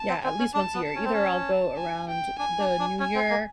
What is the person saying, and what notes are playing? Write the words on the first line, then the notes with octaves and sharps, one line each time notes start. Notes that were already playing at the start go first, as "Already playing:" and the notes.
yeah, at least once a year. Either I'll go around the new year
Already playing: A5
C4
C4 G#5
C#4
D4 A5
B3
A5
C#4
C4
C#4
G#5
G5
D4 G#5
D4
D4
C#4 G#5
C4
A#3